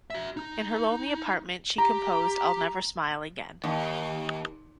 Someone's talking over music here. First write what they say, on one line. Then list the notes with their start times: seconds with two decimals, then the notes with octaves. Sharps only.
In her lonely apartment, she composed "I'll Never Smile Again".
0.10 F#4 E5
0.37 D#4
1.78 G4 A#5
3.64 D#2